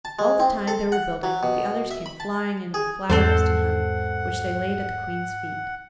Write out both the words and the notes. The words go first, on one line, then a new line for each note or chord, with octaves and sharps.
All the time they were building, the others came flying in with flower-dust and honey, which they laid at the Queen's feet.
A5
G#3
C4
A4
F#5
F#3
B2
E5
B5
A5
G#4
E2 G#2 G#3 C4 A4 C5 F#5